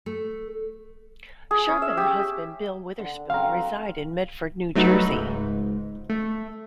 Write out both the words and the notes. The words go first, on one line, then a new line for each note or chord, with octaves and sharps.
Sharp and her husband Bill Witherspoon reside in Medford, New Jersey.
A3
G#4
C#4
E5
G4
D3
F#3 C4 F5 A#5
F#3 A3 D#4 F#4 B4
C#2 G#2
A3